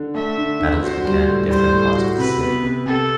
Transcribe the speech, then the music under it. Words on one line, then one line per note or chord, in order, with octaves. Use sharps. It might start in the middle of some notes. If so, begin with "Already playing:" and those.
Battles began in different parts of the city.
Already playing: D3
A3 E5
D3
D3
F#4 C5
G3
A2
G3 C5
A2
F#4
C3 B4
B3
C3
C3 A4